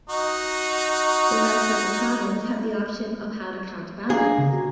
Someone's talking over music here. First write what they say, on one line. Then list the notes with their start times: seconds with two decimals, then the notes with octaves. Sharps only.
The rest of the province had the option of how to count ballots.
0.09 D#4 F#4
4.10 A#3 D4 G#4
4.38 C#3
4.52 F#4